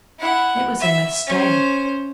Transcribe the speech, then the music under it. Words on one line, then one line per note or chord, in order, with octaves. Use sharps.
It was a mistake.
E4 F#5
E5
C#4 C5